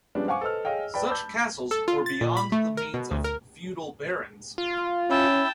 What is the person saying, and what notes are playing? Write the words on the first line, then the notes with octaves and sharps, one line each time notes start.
Such castles were beyond the means of feudal barons.
F3 G3 G#3 B3 C#4 D4
C5 F5 F#5 G#5 C#6 D6
A4 B4 C5 D#5 E6 F6
G#4 C#5 D#5 F5 G5
B4 D5 G5 A5 B5
A5 B5 D6 E6 G6
A4
F4
A6
A#2
B5
A3
A#4
B2
D2
A#4
F4
C#4 E4 G5 A5